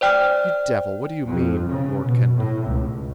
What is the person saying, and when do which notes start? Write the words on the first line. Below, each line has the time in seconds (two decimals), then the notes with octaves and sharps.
"You devil, what do you mean?" roared Kennedy.
0.01 C5 D5 G5 F6
1.27 F2
1.68 C#3
2.02 B2
2.36 A2
2.67 C#2